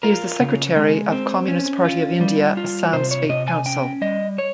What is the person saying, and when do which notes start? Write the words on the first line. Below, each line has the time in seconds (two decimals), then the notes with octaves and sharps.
He is the Secretary of Communist Party of India Assam State Council.
0.03 F4 A#4
0.40 C#3
0.76 G#3
1.12 C4
1.48 C#4
1.85 F4
2.21 G3
2.57 F4
2.93 C3 C5
3.11 C#5
3.29 C3 D#5
3.48 G#5
3.66 C#4 G5
4.01 G3 D#5
4.38 C#5